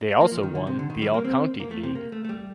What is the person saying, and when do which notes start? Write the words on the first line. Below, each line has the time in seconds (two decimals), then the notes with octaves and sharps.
They also won the All-County League.
0.21 A#3
0.32 F3
0.43 D#3
0.55 D3
0.67 C3
0.79 D3
0.90 D#3
1.02 G3
1.14 A#3
1.24 C4
1.60 A#3
1.71 A3
1.83 C3
1.95 A#3
2.12 A3
2.25 A3
2.29 G3